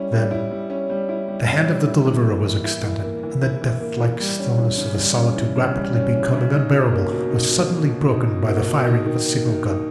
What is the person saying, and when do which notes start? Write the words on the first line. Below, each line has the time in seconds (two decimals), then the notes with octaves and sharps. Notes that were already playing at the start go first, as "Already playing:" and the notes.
Then the hand of the Deliverer was extended, and the death-like stillness of a solitude rapidly becoming unbearable was suddenly broken by the firing of a signal-gun.
Already playing: G3 C#4 E4
0.12 G3
0.31 E4
0.51 G3
0.70 C#4
0.90 G3
1.09 E4
1.28 G3
1.48 C#4
1.67 G3
1.87 E4
2.06 E3
2.26 A#3
2.45 E3
2.64 E4
2.83 E3
3.03 A#3
3.23 E3
3.42 E4
3.62 E3
3.81 A#3
4.00 E3
4.20 G3
4.39 C#4
4.58 E3
4.78 C#3
4.98 G3
5.17 C#4
5.36 E3
5.56 C#3
5.76 G3
5.95 C#4
6.15 E3
6.34 C#3
6.54 D#4
6.72 B2
6.92 A#3
7.12 B2
7.31 D#4
7.51 B2
7.71 A#3
7.89 B2
8.08 D#4
8.28 B2
8.48 A#3
8.67 B2
8.87 D#4
9.06 D#3
9.26 A#3
9.45 D#3
9.64 D#4